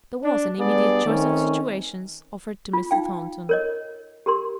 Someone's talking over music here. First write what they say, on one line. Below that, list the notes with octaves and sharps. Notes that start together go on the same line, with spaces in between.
There was an immediate choice of situations offered to Mr. Thornton.
D4
G3 B3 D4 G#4 D5
D#3 A3 C4 C#4
F4
D#4 F5 G5
A#4 C#5 D#5
G4 A#4 C6